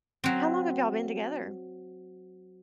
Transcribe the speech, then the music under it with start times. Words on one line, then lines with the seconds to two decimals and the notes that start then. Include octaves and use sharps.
How long have y'all been together?
0.24 F#3 C4